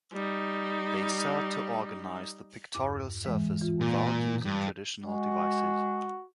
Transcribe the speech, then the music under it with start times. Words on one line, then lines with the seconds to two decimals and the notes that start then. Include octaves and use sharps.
They sought to organize the pictorial surface without using traditional devices.
0.13 G3 D#4
2.74 E2 G2 D6
3.24 G#2 E3 G#3
3.62 E3 F4
3.81 A#2
4.45 G2
5.03 G#3 F#4